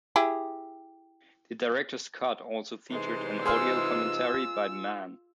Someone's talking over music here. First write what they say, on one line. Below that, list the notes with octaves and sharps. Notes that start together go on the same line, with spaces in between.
The Director's Cut also featured an audio commentary by Mann.
E4 G4 G#4
C3 E3 G#3 D#4 C5
F4 G#4 C6 E6 F6